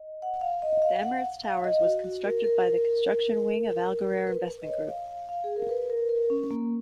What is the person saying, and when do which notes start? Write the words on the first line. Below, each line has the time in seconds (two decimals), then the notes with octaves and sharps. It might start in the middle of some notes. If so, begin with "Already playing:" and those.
The Emirates Towers was constructed by the construction wing of Al Ghurair Investment group.
Already playing: D#5
0.22 F#5
0.41 F5
0.62 D#5
0.82 F5
1.03 F#5
1.44 F5
1.64 D#5
1.84 F#4
2.04 F#4
2.25 A#4
2.44 A#4
4.27 B4
4.62 D#5
4.68 C#5
4.89 F5
5.08 F5
5.29 F5
5.44 G#4
5.56 A#4
5.69 B4
5.90 A#4
6.09 A#4
6.30 C#4
6.51 A#3